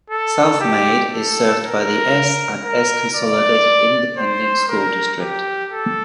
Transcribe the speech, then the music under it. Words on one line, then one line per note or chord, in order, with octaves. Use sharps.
Southmayd is served by the S and S Consolidated Independent School District.
A4
G4
A4
A#4
A#4
D5
C5
A#4
G4
A4